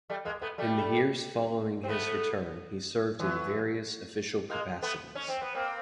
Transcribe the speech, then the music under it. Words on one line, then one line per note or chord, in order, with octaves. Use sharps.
In the years following his return he served in various official capacities.
G3 A3
G#3 A#3
A3 B3
G3 A3
C4
A3 B3
E3 F#3
G#3 A#3
A3 B3
C#4
C4
B3
A#3 C4